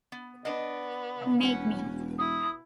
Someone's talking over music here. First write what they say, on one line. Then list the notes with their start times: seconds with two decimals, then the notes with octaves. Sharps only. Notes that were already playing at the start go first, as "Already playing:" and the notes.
Make me!
0.12 B3
0.45 B3 D4 D#5
1.41 E1 B2 C#4 B4 F#5
2.18 E4 D#6